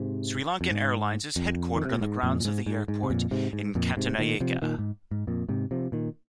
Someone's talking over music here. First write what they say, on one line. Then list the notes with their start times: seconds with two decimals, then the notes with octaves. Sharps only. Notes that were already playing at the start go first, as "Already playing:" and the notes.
SriLankan Airlines is headquartered on the grounds of the airport in Katunayake.
Already playing: G#2 C3
0.61 F2
0.71 G#2
1.36 F2
1.76 D#3
1.85 C3
1.93 A#2
2.01 G#2
2.23 F2 A#2
2.40 A#2
2.45 G#2
2.66 G#2
2.88 G#2
3.03 C3
3.10 F2 A#2
3.31 G#2 C3
3.53 G#2
3.75 F2 A#2
3.97 G#2 C3
4.18 A#2 D#3
4.40 C3 F3
4.62 A#2 D#3
4.79 G#2
5.11 G#2
5.27 F2 A#2
5.49 G#2 C3
5.71 C3 F3
5.92 A#2 D#3